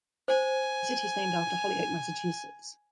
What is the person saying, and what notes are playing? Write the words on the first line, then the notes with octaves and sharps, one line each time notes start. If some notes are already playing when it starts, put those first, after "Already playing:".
The city is named after Holyoke, Massachusetts.
C5 G#5